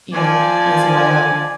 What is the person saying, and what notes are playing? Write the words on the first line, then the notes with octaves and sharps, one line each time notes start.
you know, as well,
F3 D5 G#5